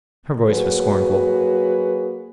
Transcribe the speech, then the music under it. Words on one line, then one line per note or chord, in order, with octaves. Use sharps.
Her voice was scornful.
F#3 A#3 F#4 G#4 B4